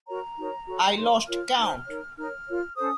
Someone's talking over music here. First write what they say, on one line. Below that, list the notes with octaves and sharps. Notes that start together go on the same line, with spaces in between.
I lost count.
F#4 A#4 C#5 A#5
D#4 F#4 A#4 C#5
F#4 A4 C#5
D#4 A#4 C#5 C6
F4 A#4 C#5 F6
D#4 F#4 C5
D#4 A#4 C#5
D#4 A#4 C#5 F6
F4 A#4 C#5
C#4 A4 C5 D#6